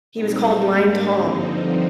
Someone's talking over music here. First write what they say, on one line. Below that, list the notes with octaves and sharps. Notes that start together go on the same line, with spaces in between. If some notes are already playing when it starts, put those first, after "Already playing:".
he was called Blind Tom.
A#2 G3 C4 D#4
G#2 G3 A#3 D4 G4
G2 D3 F3 C4 D#4